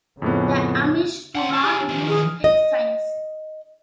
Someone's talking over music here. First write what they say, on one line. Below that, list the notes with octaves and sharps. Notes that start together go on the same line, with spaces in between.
The Amish do not use hex signs.
F2 A2 C#3 B3
C2 F#5 G5 A5 C6
C#3 A5 E6 F6 A6
G4 G#5
D#3 F3
G#4 F6
D#5